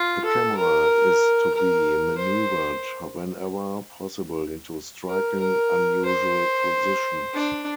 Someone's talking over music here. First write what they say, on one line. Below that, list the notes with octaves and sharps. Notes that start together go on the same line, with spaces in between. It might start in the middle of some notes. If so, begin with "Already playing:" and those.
The camera is to be maneuvered, whenever possible, into striking, unusual positions.
Already playing: F4
A4
A#4
A#4
C5
A#4
A#4
C5
D4